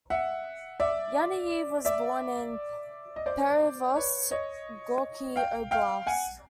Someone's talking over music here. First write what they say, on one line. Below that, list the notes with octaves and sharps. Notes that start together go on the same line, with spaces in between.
Yanayev was born in Perevoz, Gorky Oblast.
E5 F#5
D5 E5
D5 E5
D#5
C5 D5
B4 C#5
C#5 D#5
F5 G5
F5 G5
F#5 G#5